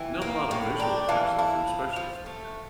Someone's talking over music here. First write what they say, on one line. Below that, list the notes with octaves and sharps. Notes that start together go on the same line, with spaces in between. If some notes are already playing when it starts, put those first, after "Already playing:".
Not a lot of visual effects, though, from special effects,
Already playing: E3 E5 G5
A#3
A2
D4 G5 A#5
E3 F5 A5
E4 F5 A5
F3
F3
A3